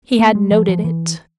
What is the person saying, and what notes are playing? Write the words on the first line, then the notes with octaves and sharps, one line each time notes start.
He had noted it.
A#3
G#3
F3
F3
E3